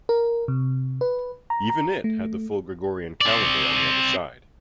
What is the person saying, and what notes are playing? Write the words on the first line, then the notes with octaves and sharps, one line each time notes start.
Even it had the full Gregorian calendar on the other side.
A#4
C3
B4
A#5
A#5
A3
C4 D5